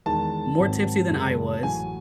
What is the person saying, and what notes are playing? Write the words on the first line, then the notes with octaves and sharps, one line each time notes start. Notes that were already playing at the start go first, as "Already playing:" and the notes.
more tipsy than I was,
E2 D#3 G#3 A5
G#1 G#2 F#3 C4
F#2 C#3 G#3 C#4
A1 A2 F#3 G#5